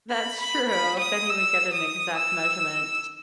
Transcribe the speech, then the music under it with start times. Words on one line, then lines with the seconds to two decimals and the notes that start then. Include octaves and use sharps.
That's true, then you would get an exact measurement.
0.10 B5
0.40 B5
0.69 B5
1.00 D#6
1.29 E6
1.73 D#6
2.17 E6